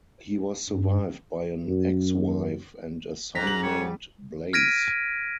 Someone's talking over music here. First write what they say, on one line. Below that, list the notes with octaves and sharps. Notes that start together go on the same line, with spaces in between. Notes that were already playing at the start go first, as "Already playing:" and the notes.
He was survived by an ex-wife and a son named Blaise.
G2
F#2
G#2 A#5 B6
F#7
G3 C#5
F6 G#6 A#6 B6 D7 D#7